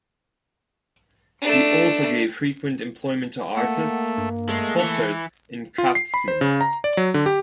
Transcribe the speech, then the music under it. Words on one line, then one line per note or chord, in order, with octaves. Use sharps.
He also gave frequent employment to artists, sculptors and craftsmen.
A3 D4
A3 A#3 F#5
G2
G#3 A3
E3 C#7
F4
C7
B5
C5
C#3
A#5
D5
F#3
D3
G4